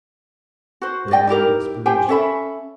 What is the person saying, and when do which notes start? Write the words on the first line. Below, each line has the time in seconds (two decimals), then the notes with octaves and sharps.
They were in desperation.
0.81 F#4 C5
1.11 D5 D#5 G5
1.27 D#4 E4 G4 A#4
1.86 G4 C5 G5 G#5
2.09 C#4 A4 E5 B5